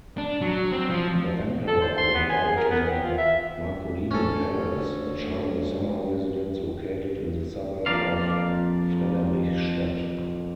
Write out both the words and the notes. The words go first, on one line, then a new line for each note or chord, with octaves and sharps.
The Emperor went down to the Marcolini Palace, a charming summer residence located in the suburb of Frederichstadt.
D4
F#3
C4
F3
A4
C5
C6
B3
G#5
G#4
A#4
B3
C4
F4
E5
D2 C#4 A4
F2 F3 A#3 D5 F5